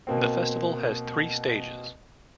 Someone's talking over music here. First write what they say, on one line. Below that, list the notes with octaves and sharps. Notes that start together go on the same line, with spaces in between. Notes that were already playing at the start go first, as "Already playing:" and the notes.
The festival has three stages.
B2 A#3 C4